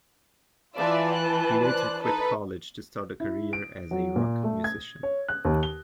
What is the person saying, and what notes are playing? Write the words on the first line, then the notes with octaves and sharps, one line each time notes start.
He later quit college to start a career as a rock musician.
E3 F4 B4 D5 E5 A5
G5 F#6
C5 D5 F#6
D#4 A4 B4
E4
D7
F#3
A#2
A3
G#6
C#5
F#6
D#2
G7